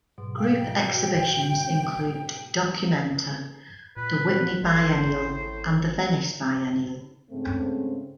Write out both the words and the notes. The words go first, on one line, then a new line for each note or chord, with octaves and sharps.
Group exhibitions include Documenta, the Whitney Biennial, and the Venice Biennale.
G#2 B2 F#3
F5 G5
F#4
A#2 B4
G#1 A2 C5
G#2 C#3 A3 C4